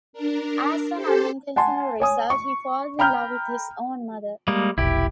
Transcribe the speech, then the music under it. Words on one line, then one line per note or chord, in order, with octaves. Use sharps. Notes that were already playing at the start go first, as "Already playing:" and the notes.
As an unintentional result, he falls in love with his own mother.
D4 A#4
G4 A4 C5
F#5 G#5 A5 C6
C#5 G#5 D#6
C#6
G5 A#5 B5 F6 G6
G3 G#3 A#3
F1 B1 E4 G4